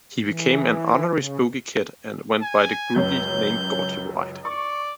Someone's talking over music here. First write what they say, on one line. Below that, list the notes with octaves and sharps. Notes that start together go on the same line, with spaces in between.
He became an honorary spooky kid, and went by the groupie name Gordy White.
E3
C#3
G#5
C#2 F#2 C#4 G6
D5 C#6